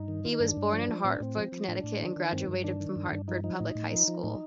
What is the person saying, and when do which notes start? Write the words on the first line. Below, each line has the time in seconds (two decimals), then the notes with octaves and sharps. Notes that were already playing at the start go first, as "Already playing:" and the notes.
He was born in Hartford, Connecticut and graduated from Hartford Public High School.
Already playing: G2 D#4
0.08 D#3
0.24 D#3 F4
0.33 D#4
0.40 G2 D4
0.57 G2
0.73 F3
0.88 F3
1.04 A2 C4
1.13 D4
1.20 A2 C4
1.37 F3
1.52 F3
1.68 A2 D4
1.84 A2
2.00 D#3
2.16 D#3
2.32 G2 C4
2.48 G2
2.63 D#3 D4
2.80 D#3
2.96 G2
3.12 G2
3.28 F3 D#4
3.44 F3 D#4
3.60 A2 D#4
3.75 A2
3.92 F3
4.08 F3
4.24 A2 D#4